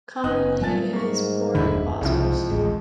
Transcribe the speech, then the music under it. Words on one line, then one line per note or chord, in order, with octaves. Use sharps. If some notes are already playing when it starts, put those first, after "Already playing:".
Commonly it is poor in fossils.
F#1 B3 D#4 D#6 F#6
A#2 F#3 G3 A3 G#5 A5 A6
G#2 A#3 C#6
D#1 F#2 D3 E4 B5
C2 F2 G#2 C#3 F3 E4
A1 D2 A2 G#3